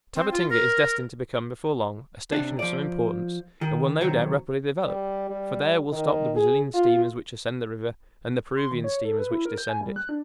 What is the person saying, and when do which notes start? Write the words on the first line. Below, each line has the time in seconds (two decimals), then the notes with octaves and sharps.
Tabatinga is destined to become before long a station of some importance, and will no doubt rapidly develop, for there will stop the Brazilian steamers which ascend the river, and the Peruvian steamers which descend it.
0.15 C4
0.32 F4
0.49 A#4
2.32 C3 D4
2.59 F3 D5
3.61 D#3
4.01 C3 D#3 F#3
4.85 G3
5.30 G3
5.92 D#3
6.36 G#4
6.74 F4
8.56 C6
8.72 D#3
8.84 C#5
9.05 A4
9.19 B4
9.31 E4
9.45 A#4
9.58 G6
9.69 G#5
9.81 G3
9.96 F#6
10.09 D4